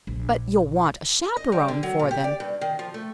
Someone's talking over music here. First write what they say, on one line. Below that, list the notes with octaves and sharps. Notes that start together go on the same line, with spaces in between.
"But you'll want a chaperone for them."
A#1
D#5
G3
D3
F#3
A#2
G4
D5
G2
D#3
F3
A3